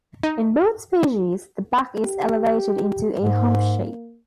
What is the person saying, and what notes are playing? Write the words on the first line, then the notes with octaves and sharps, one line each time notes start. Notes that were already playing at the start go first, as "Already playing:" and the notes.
In both species, the back is elevated into a hump shape.
D#4
G4
G#2 A#3